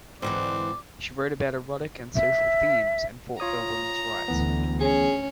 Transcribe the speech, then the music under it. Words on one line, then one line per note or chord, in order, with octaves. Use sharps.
She wrote about erotic and social themes and fought for women's rights.
G#2 D3 E3 C4 D5
E5
F4 C#5 A#5 D#6
D2 E3 B3
C#4 G#4